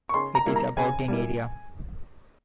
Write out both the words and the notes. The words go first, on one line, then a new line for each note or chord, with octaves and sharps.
It is about in area.
C#6
C#3 C6
A#5
G3 A#3 E4
A#5
C#3 G#5
G3 A#3 E4